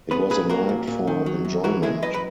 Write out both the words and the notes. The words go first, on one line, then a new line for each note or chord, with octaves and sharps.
It was a night for enjoyment.
B3 G#4 B4
A#2 G#4 B4
A#3 F#4 A#4
A#2
A#2
D#3
F#3
F#2
E3 F#4 A#4
G#3 E4 G#4
F#2 B4 D#5
B4